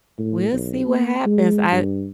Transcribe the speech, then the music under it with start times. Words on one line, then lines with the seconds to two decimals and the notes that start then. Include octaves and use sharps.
we'll see what happens. I
0.19 A2
0.52 B1
0.86 A#3
1.26 G#3
1.72 G2